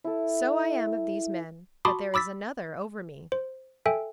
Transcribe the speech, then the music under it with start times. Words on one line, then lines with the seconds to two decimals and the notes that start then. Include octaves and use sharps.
"So I am of these men; but there is another over me."
0.04 E4 A4
1.85 F#4 A5 B5 C6 D6 D#6
2.14 B5 D6 E6 A6 B6
3.32 C5
3.86 A4 E5 G5 G#5